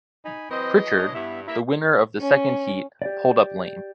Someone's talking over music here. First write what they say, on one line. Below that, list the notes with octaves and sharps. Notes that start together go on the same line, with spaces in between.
Pritchard, the winner of the second heat, pulled up lame.
D#4 G#5 B5
E3 F#3 C4 B4 C5 D#5
D4 C#5
G2 B3 E4 E5
A#3 E4 G4 E5 A#5 B5
C#4
G4 D5